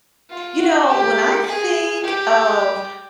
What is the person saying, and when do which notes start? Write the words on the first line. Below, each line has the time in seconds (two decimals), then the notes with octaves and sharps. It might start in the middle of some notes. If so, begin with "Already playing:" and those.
You know, when I think of
0.30 F4
0.59 F#4
0.88 G4
1.45 G#4
2.03 G4